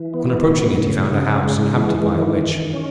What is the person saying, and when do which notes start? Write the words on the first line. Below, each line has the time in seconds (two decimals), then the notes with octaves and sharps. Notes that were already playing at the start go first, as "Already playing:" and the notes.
On approaching it, he found a house inhabited by a Witch.
Already playing: E3
0.14 B3
0.46 A2
0.79 C#3
1.11 C#3
1.44 G#3
1.76 E3
2.09 D#3
2.41 D#3
2.73 C#4